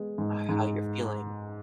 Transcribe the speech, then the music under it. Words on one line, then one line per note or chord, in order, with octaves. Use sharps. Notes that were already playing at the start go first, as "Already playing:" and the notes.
how you're feeling
Already playing: G#3 B3
G#2
G#2